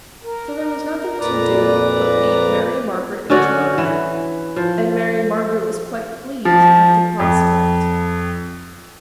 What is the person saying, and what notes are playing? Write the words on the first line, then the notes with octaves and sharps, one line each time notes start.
So there was nothing to do but leave Mary Margaret in charge, and Mary Margaret was quite pleased at the prospect.
A#4
F2 A#2 B4 D5 A#5
D3 C#4 F#4 D5
E3
F3
F3
F2